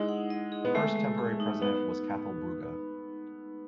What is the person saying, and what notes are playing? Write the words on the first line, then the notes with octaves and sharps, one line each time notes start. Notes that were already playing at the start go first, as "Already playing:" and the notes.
The first, temporary president was Cathal Brugha.
Already playing: G#3 D#4 E4
F#5
D#5
G#4
B3
G#3 A3
G#3
G#4
D#4
B3 D#4